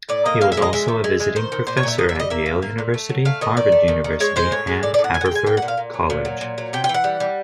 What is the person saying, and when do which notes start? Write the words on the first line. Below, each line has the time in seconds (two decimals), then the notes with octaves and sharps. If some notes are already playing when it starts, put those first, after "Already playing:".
He was also a visiting professor at Yale University, Harvard University and Haverford College.
0.09 A2 D5
0.25 A#3 D#5
0.41 G#3 F5
0.52 E5
0.57 G#3 D#5
0.73 G#3 E5
0.88 D#3
1.04 G#3
1.20 G#3
1.36 D#3 C5
1.52 D#3
1.67 A#2 C5
1.77 C#5
1.83 A#2 E5
1.98 A#3 D#5
2.09 E5
2.15 G3 D#5
2.30 A#3 E5
2.46 A#3
2.62 A#3
2.78 A#2
2.94 A3
3.09 F#3
3.25 A3 F5
3.41 D#3 D#5
3.57 D#3 D5
3.72 A3
3.88 D#3
4.04 D#3
4.20 G#3 C#5
4.36 G#3 C5
4.52 A2 C#5
4.67 G#3
4.83 A2 D5
4.94 D5
4.99 A2
5.04 F#5
5.14 A2 G#5
5.21 F#5
5.26 G5
5.31 G#3 G#5
5.46 A#3 G5
5.57 F#5
5.62 A#2
5.68 F5
5.77 A#2
5.94 F#3
6.10 A#2
6.25 F#3
6.41 A#2
6.58 F#3
6.73 C3 G5
6.84 G5
6.89 E3
6.94 F#5
7.04 G3
7.20 G3